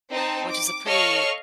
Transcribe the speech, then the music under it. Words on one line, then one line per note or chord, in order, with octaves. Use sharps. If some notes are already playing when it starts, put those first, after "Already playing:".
which is a pretty
C4 D#4 A5
D6
A4 C#5 D#5 F5 C#6 F6